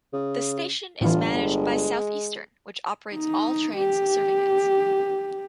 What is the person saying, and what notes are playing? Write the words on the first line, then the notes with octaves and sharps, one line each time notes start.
The station is managed by Southeastern, which operates all trains serving it.
C#3
G1 A2 E3 F4
G#3
D#4
G4